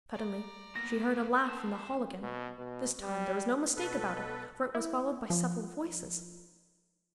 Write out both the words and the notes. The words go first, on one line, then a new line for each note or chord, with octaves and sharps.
Suddenly she heard a laugh in the hall again--this time there was no mistake about it, for it was followed by several voices.
D5 A#5
A2 F#3 A#3 B3 A#4 A#6 B6
D#4 A5
B2
B2
G3
B2 A4 B4
E4
F3